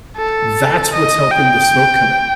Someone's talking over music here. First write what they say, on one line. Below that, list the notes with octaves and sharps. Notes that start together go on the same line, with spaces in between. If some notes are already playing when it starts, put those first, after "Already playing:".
that's what's helping the smoke come in.
A4
D#5
G5